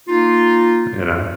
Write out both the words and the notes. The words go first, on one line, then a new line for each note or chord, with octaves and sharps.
you know?
A#3 D#4 F4